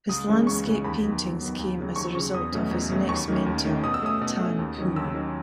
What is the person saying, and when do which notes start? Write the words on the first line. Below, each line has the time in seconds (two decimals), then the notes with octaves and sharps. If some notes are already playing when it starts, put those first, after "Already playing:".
His landscape paintings came as a result of his next mentor Tan Pu.
0.09 C#2 D#6
0.27 C#3 E3 G#3 C#4
0.47 C#2 C#6
0.65 C#3 E3 G#3 C#4
0.84 D#2 B5
1.03 D#3 F#3 B3
1.21 D#2
1.41 D#3 F#3 B3
1.59 D#2
1.78 C#3 F#3
1.96 D#2 C#6
2.15 C#3 F#3 C#6
2.34 E2 D#6
2.52 B2 F#3 A3 C#4
2.71 E2
2.89 B2 F#3 A3 C#4
3.09 D#2 C#6
3.28 D#3 A3 C#4
3.46 D#2
3.64 D#3 A3 C#4
3.83 B2 D#6
3.94 E6
4.02 A3 C#4 D#6
4.21 B2
4.39 A3 C#4
4.59 D#2
4.78 D#3 F#3 C#4
4.96 D#2 E6
5.14 D#3 F#3 C#4